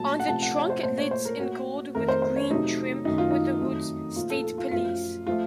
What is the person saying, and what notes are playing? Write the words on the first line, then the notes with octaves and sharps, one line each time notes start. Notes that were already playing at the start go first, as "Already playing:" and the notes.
On the trunk lids in gold with green trim were the words "State Police".
Already playing: A#2 F#3 A3 A5
F#5
C3 F3 A3 A5
F#5
C#5
C5
A#2 A3 C5
C#5
C5
A#4
A#2 A3 F#4
F2 D#3 A3 A#4
C5
C5
C#5
C3 F#3 A3 D#4
F#2 D#3 A3 D#4
F4
D#4
F2 D#3 F#3 A3
A#2 F3 A3 F4
A4
A4
F4
F#2 F3 A3 F4
F3 A3 F4